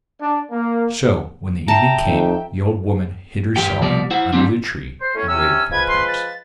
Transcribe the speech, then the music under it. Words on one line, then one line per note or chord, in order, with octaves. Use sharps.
So, when the evening came, the old woman hid herself under the tree and waited for the prince.
D4
A#3
E5 G5 A5 A#5
F2 D#4
G2 E3 G4 G5
C2 B2 F3 G3 D5
E4 C5 F#5
F#3 G3 C4 D4
C5
A2 C#4
C3 C#4 E6
F3 G#3 B4 G#6
C6
A6